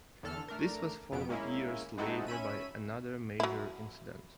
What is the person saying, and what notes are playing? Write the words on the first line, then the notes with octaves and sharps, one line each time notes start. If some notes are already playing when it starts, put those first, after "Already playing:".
This was followed years later by another major incident.
E2 D3 A4 F6
A3 D4 A#4
F2 B2 B3 D7
G#3 A#3 C#4 E4
G#3 C4 D#4 E4 F#4 A4
C#4 E5 B5 D#7
F#3 E4